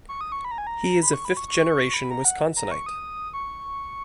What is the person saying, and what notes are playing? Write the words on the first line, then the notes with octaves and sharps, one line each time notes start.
He is a fifth-generation Wisconsinite.
C#6
D#6
C#6
B5
A#5
G#5
A#5
B5
C#6
B5
C#6
C#6
C#6
B5
A#5
F#5
A#5
C#6
D#6
C#6